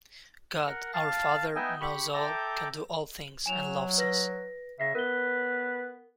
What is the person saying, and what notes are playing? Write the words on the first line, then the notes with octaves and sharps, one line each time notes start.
God, our father, knows all, can do all things, and loves us.
A#4 F#5
F5 A5
B3 D#4 D#5 E5 G5 G#5
G4 B5 C#6
A4 E5 G5 A#5 D6 G6
F#3 G#5 E7 F7
B4 A#6
C#3 E5 A#6 C7
B3 A#4 B4 G7